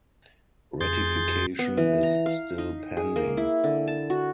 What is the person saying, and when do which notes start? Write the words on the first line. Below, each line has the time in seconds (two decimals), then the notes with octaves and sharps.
Ratification is still pending.
0.81 F2 G#4 C6 G6 A6
1.59 B3
1.77 E3
2.03 A#5
2.26 F5
2.58 D#4
2.97 G#4
3.16 A#3
3.37 E4
3.64 D3
3.88 A5
4.10 F#4